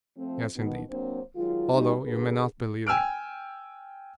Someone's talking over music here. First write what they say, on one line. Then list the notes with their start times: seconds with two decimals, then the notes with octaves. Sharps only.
Yes, indeed; although you may not believe me, Di.
0.18 F3 A3 C4
0.56 B2 D#3 B3
0.90 F#3 A#3 C4 D4 C5
1.36 D#3 F#3 G#3 F4
1.72 G3 A3 C#4 D#4 G4
2.03 D3 D4 G4 G#4 A#4 B4
2.87 G5 G#5 E6 F6 D7